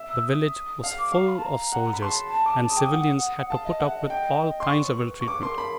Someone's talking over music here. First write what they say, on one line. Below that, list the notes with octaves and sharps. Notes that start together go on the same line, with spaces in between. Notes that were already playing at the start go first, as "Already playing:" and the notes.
The village was full of soldiers, and civilians had to put up with all kinds of ill-treatment.
Already playing: E5
E6
D#6
F5
D6
F5 C#6
B5
A5
A#5
F#5
B5
A5 C6
D6
A5
D#6
G5 D6
D#6
F#5
F5 A5
D#5
E5 F#5
D#5
G5
C6
D5 C#6
C5
A#4
B4
C#6
B4 D6
A#4 C6
A#4 B5